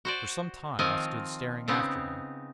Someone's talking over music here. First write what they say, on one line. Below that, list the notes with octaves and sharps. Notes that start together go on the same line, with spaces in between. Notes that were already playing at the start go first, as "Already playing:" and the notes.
For some time I stood staring after him.
F#4 C5 D5
D#3 F3 C4 F4 D#5 G#5
C#3 B3 C4 D#4